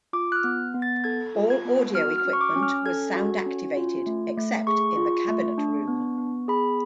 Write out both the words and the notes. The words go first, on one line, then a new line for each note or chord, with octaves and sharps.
All audio equipment was sound-activated, except in the Cabinet Room.
F4 D6
F#6
F6
B3
B3
A6
A4 G#6
F4
G#6
B3
F#4 F6
F6
C#4
C#6
D6
C#4
F6
A4 G#6
F#4
C#4
F4
A3
A3
G#4 C#6
F4
A3
D4
B3
B3
G#4 B5